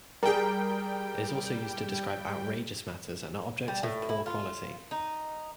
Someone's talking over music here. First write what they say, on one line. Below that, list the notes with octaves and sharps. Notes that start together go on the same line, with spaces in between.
It is also used to describe outrageous matters and objects of poor quality.
G3 G#4 A#4 G5
G3
A2
E4
F4
D#4